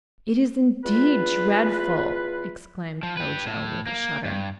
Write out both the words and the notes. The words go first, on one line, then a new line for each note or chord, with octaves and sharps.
"It is, indeed, dreadful!" exclaimed Ojo, with a shudder.
E2 F4 B4
F3
G4 B4
A2
A#3
G2